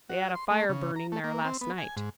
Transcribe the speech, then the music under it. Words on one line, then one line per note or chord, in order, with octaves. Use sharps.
"They had a fire burning there last night."
F#4
C6
A3
C#3
A#5
A3
A#3
C4
B3
G#5
G#2